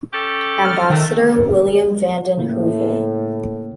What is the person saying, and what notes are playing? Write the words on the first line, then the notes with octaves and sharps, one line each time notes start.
Ambassador William vanden Heuvel.
C#4 G4 A4
F6
C3 D#3 A3
A2 C#3 A#3 E4